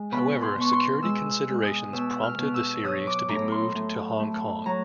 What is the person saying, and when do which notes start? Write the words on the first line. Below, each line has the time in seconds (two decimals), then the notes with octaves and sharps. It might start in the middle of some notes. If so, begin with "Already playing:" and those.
However, security considerations prompted the series to be moved to Hong Kong.
Already playing: G#3
0.12 B2 B5
0.42 C6
0.58 B2 C#6
0.72 C6
1.03 G#3 E6
1.48 G#3
1.63 D#6
1.93 B2 E6
2.23 F6
2.38 B2
2.54 E6
2.84 F#3 D#6
3.07 D6
3.29 A2 A#5
3.52 C6
3.75 A2
4.20 A3
4.66 F#3 A#5